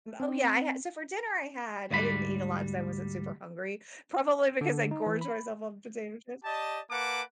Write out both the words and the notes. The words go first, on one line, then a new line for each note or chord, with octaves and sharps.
Oh, yeah, I had so, for dinner, I had I didn't eat a lot 'cause I wasn't super hungry, probably because I gorge myself on potato chips.
C4
D2 G#2 G3 B4 B5
D3
D#4
E3
B5
G4 D5 D#5 A5
A#3 B4 F#5 A5 D6